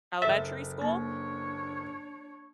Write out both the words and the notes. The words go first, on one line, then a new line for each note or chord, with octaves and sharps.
elementary school,
F#1 A4 E5 A6
A#3 D4 C#5